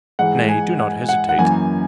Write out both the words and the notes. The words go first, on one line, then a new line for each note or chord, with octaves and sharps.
Nay, do not hesitate.
G#2 E3 G#3 F#5
G#5
F#5
F#5
F#5
F#2 E3 A#3 G#5